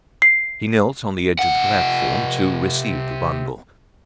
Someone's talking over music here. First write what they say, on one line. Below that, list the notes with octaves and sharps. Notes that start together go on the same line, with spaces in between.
He knelt on the edge of the platform to receive the bundle.
C7
C3 F#5